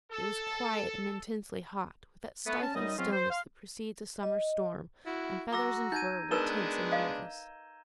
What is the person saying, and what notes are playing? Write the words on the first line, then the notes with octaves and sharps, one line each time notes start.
It was quiet and intensely hot, with that stifling stillness that precedes a summer storm, and feathers and fur were tense and nervous.
A4
A3 B3
C#4 A5
F#2 G3 D#4 D#5
G#2 F#3 C4 C#4 F4
C5
F5 C6 F6
D#5
E4 F#4
F#4 A#5 D6 E6 A#6
D#4 G6 G#6 D#7
G#3 B3 D4 D#4 A#4 B4 E7 G7
D#5 F5